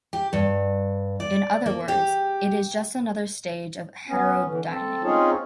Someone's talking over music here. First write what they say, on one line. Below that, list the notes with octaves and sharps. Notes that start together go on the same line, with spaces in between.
In other words, it is just another stage of heterodyning.
G4
G2
D5
A#3
G4
B3 C#4
D3 E3
C4 A4 A5
C4 C#4 D#4 F4 G#4 C#5